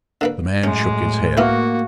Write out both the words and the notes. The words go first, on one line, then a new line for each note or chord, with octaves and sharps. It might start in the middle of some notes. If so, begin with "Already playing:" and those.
The man shook his head.
D3 A#3 B4
F#2 A2 G#3 C#4
A#3 B3 E4 F#4